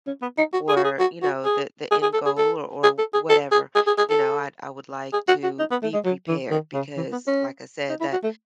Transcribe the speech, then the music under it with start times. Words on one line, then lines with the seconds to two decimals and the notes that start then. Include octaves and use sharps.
or, you know, the the end goal or or whatever, you know, I I would like to be prepared because, like I said, that
0.07 C#4
0.22 B3
0.38 D#4
0.53 F#4
0.69 G#4
0.77 F#4
0.84 G#4
0.99 F#4
1.22 F#4
1.45 G#4
1.91 G#4
2.03 G#4
2.14 A4
2.26 G#4
2.38 A4
2.83 G#4
2.99 A4
3.14 G#4
3.29 A4
3.52 G#4
3.75 G#4
3.87 G#4
3.98 G#4
4.10 A4
5.13 G#4
5.28 F#4
5.43 F#4
5.59 D#4
5.71 B3
5.82 A3
5.94 G#3
6.05 F#3
6.28 E3
6.51 D#3
6.74 C#3
6.97 E3
7.12 B3
7.27 C#4
7.90 D#4
8.00 E4
8.12 F#4
8.23 A3